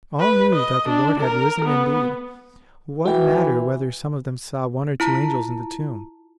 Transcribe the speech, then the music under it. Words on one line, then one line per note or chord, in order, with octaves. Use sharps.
All knew that the Lord had risen indeed: what matter whether some of them saw one or two angels in the tomb?
B4
D#5
D4
A#4
B3
E3 F#4 G5
E4 F4 A5 A#5